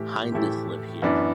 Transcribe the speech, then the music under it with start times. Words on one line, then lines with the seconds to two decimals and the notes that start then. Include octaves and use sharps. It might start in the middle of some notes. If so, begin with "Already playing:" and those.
Hindus live here.
Already playing: A2 E3 A3 E4 G4
0.32 A2 E3 A3 E4 G4
1.02 F#2 E3 B3 D4